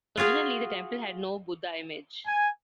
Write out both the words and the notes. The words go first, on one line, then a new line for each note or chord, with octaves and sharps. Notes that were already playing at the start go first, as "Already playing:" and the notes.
Originally the temple had no Buddha image.
F4 F#4 G#4 F5
G#5